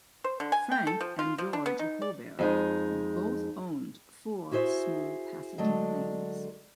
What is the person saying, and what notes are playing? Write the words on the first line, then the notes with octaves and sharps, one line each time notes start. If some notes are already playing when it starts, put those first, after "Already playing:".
Frank and George Hoberg both owned four small passenger planes.
C5
D3
G#5
G5
A4
F3
F4
F3
D4
B3
D#4
D5
F2 G#3 D#4
E4 F#4 G#4 C5 E5
D3 F#3 G#3 A3 D4